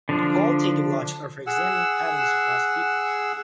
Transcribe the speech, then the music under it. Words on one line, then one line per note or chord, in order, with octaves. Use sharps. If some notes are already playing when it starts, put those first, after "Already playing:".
Qualitative logic are for examining patterns across people.
D3 F3 D4
G#4 F#5 E6